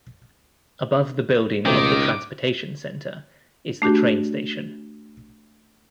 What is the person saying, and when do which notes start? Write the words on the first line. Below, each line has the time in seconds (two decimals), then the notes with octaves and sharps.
Above the building of the transportation center is the train station.
1.66 C#2 B2 D#3 A3 C4 D6
3.82 A3 D4 F#4 G4